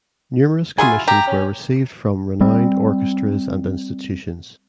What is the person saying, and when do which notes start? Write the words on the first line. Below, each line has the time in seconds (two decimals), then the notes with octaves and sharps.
Numerous commissions were received from renowned orchestras and institutions.
0.78 F#3 E4 F4 G#5
1.08 G4 A#5
1.27 C#4
2.41 G3 C4